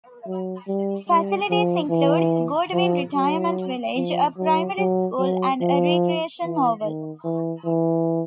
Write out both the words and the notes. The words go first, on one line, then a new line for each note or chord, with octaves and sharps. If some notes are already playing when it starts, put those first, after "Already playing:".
Facilities include the Goodwin Retirement Village, a primary school and a recreation oval.
F#3
G3
G3
F3
E3
F3
F#3
F3
F#3
F#3
F#3
F3
E3
D#3
E3
E3